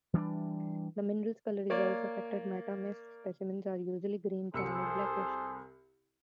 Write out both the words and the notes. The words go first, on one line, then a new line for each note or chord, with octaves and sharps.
The mineral's colour is also affected: metamict specimens are usually green, brown or blackish.
E3 G3 C#4 D4
A#3 C#5 D5
C2 G#4 A4 C5 E6 C#7